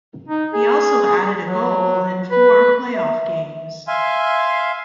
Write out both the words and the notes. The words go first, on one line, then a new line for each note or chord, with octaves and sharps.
He also added a goal in four playoff games.
D#4
G#4
F#3
B4
E5
E5 F5 G#5 C6